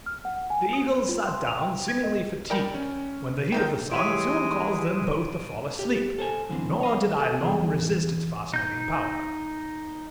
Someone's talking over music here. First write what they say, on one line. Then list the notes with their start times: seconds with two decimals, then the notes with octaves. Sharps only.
The eagles sat down seemingly fatigued, when the heat of the sun soon caused them both to fall asleep, nor did I long resist its fascinating power.
0.06 F6
0.25 F#5
0.50 G#5
0.73 D#6
0.93 C5
1.09 F4
1.27 C6
1.47 F7
1.61 G5
1.88 G#6
2.04 D#5
2.50 A#4 D5 G5 B5
2.74 C#4
3.52 D3 D#3 F4 G5 A#5 G6
3.91 E3 G#3 E4 G4 C#5 D7 D#7
5.79 G4
6.18 A4 C5 G#5
6.49 F#2 D3 E3 C4
6.81 C#5 D#5 F5
7.20 A4
7.41 E2 G#4
8.54 D#4 G6